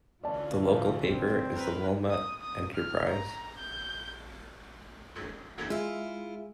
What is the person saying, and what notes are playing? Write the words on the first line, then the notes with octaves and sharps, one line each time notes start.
The local paper is the Wilmot Enterprise.
D2 E3 C#4 F4 D5 A5
F3
C4
A#4 B4
D#6
D#6
F6
A#5
G6
G#3 E4 F4 G#4 E5